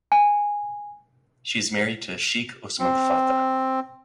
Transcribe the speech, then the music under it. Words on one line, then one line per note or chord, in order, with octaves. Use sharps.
She is married to Sheikh Usman Fateh.
G#5
C4